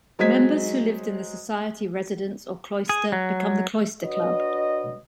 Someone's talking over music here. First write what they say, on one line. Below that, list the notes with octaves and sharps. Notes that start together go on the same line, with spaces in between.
Members who lived in the society residence, or "Cloister", become the Cloister Club.
F#3 G#3 C5 D#5 G#6 B6
G#4
F#3
D4 F#4 B4 C#5 D#5